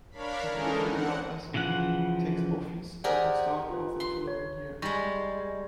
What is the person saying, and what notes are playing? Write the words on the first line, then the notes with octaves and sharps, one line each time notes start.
The new Federal Assembly takes office at the start of the following year.
D4 A#4 C#5 F5 B5
E3 G#3 C#4 D#4 A4 A#4
C4 F#5
C#3 E3 F3 F#5 F#6
G4 G#4 A#4 C5 D5 F#5
F4 B4
C6
C#5
G3 G#3 D#4 C#6 A#6